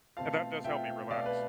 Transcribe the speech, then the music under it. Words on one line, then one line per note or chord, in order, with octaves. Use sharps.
and that does help me relax.
B2 A3 C4 F4 F5 A5
B2 A3 C4 F4 E5 G5
B2 A3 C4 F4 D5 F5
B4